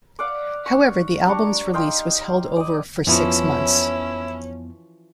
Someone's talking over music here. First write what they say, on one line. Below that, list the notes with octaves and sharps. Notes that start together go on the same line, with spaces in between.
However, the album's release was held over for six months.
D5 F5 F#5 D6
C#6
D4 G4 A#5 C#6
D#4 F5 G5 C6
D5 D#5
F2 E3 F3 B3 C#4 E4 F#4